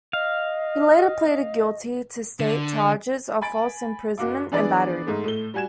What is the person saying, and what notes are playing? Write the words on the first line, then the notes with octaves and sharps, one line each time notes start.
He later pleaded guilty to state charges of false imprisonment and battery.
D#5 F5
D3
G#5 B5 A6 D7
F#1 F#4 F5 D6
E3 B3 D4 G#4 B4 D5
G#2 A3
A2 A3 G7
G3 F#4 G#5 G#6 E7